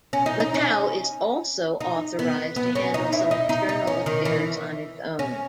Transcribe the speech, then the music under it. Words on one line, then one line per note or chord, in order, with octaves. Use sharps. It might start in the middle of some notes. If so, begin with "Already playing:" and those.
Macau is also authorised to handle some external affairs on its own.
C#4
D#4
D#4
C#4
D#4
B3
B3
C#4
D#4
E4
D#4
D#4
D#4
C#4
D#3
E3
C#4